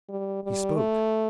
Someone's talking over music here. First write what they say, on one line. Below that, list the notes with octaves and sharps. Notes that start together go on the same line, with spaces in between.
He spoke.
G3
G3
A3